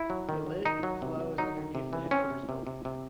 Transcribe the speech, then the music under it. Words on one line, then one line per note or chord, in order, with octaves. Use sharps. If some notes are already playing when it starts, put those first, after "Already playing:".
A lake flows underneath the headquarters building.
Already playing: E4
F#3
D#3
F#3
D#3 D#4
F#3
C3
F#3
F#3 D#4
D#3
C3
E3
C4 C#4
C3
C3
C3
C3